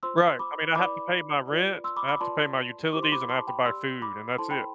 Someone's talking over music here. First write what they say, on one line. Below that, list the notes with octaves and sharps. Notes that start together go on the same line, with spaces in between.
Right, I mean, I have to pay my rent, I have to pay my utilities, and I have to buy food, and that's it.
F4 C5 C6 E6
B5 D6
E4 B4 D5 B5 D6
F4 B4 D5
C6 E6
B5 D6
B5 D6
F4 B4 D5 A5 C6
E4 G4 C5 D6
C6
B5 D6
A5 C6
G5 B5
G4 D5 C6 E6
B5 D6
E4 A4 C5 A5 C6
G5 B5